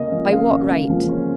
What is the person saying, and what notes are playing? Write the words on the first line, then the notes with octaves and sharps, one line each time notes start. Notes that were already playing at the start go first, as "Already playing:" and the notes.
By what right?
Already playing: C#3 A#3 C#4 D#5
F3
C#4 F5
C#3
A#3
F3
C#4